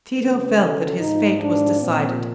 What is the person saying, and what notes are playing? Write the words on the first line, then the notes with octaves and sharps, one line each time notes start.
Tito felt that his fate was decided.
E2 C#3 F#3 B4
A4
G#2 F3 D#4
D4
A#2 F3 C4